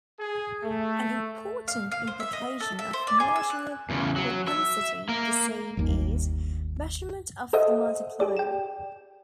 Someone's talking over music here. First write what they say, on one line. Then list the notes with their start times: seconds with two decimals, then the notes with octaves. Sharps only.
An important implication of marginal propensity to save is measurement of the multiplier.
0.18 G#4
0.63 A3
1.68 F5
1.91 F5
2.07 C5
2.20 E5
2.33 D#5
2.60 A4
2.79 E5
2.93 C5
3.07 D5
3.20 G#4
3.36 E6
3.50 F#6
3.90 E2 C#3
4.16 F#3
4.48 E5
5.09 A#3 A#4
5.77 G1 D#2
7.53 A4 C5 D#5 E5 F#5 D#6
8.20 G4 G#4 D5
8.37 G5 E7